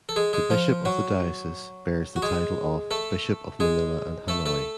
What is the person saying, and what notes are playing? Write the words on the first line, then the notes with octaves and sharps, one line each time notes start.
The bishop of the diocese bears the title of "Bishop of Manila and Hanoi".
A4
G#3 G#4
G#3 G#4
F3 F4
F#3 F#4
F#4
G#3 G#4
A3 A4
G#3 G#4
A3 A4
A3 A4